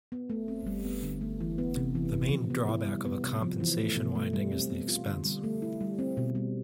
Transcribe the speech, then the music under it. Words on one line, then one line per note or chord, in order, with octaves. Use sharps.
The main drawback of a compensation winding is the expense.
B3
A3
C4
G3
B3
D3
A3
E3
B3
C3
E3
C3
F3
B3
E4
G3
B3
C3
F3
E3
A3
B2
A3
G3
C4
B3
F4
D3
G3
A3
E4
G3
C4
B2
G3